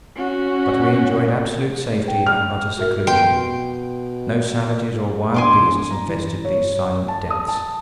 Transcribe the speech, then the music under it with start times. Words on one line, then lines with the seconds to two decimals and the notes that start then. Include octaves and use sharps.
But we enjoyed absolute safety and utter seclusion; no savages or wild beasts infested these silent depths.
0.16 C#4 F#4
2.05 B4 G5
2.26 F6
2.78 F#4 A#4 E5
3.07 B2 G5 C6
5.34 E1 G#5 C6 D6
5.91 A#5
6.08 E3
6.45 C#5
7.08 A5
7.30 D#6
7.48 A5